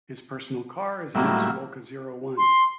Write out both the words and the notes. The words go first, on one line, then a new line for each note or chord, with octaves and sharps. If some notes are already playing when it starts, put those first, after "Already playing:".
His personal car is a Mitsuoka Zero One.
A2 D#3 F#3 G3 A#3 E5
C6